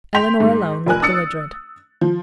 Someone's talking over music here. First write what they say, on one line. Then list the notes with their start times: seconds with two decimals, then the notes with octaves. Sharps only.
Eleanor alone looked belligerent.
0.14 G5 C6 G6 B6 F7
0.40 G#2
0.86 F1 A#4 G#5 F#6
1.02 D#6 E6 F#6 A6 C#7
2.01 F3